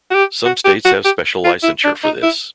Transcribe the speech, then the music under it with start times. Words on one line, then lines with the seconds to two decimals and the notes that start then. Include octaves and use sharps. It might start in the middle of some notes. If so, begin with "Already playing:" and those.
Some states have special licensure for this.
0.11 F#4
0.14 G4
0.45 F#4
0.65 G4
0.85 F#4
1.05 G4
1.45 F4
1.63 E4
1.84 D4
2.04 D#4
2.23 E4